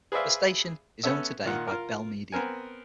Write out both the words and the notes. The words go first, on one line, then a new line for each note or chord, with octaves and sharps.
The station is owned today by Bell Media.
G#4 B4 C5 D5 E5 F5
B3 C#4 A4 E5
A#2 D#3 F4 F#5
F4 A#4
B3 C4 A#4 G#5